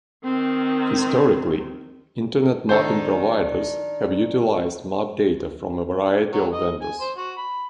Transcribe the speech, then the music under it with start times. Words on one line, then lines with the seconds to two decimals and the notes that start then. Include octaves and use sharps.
Historically, Internet mapping providers have utilized map data from a variety of vendors.
0.24 D#3 C4
2.69 D#3 D4 D#4 A4 C5
6.33 F#3
6.53 D#5
6.82 G#5
7.00 C5
7.17 F#4
7.38 B5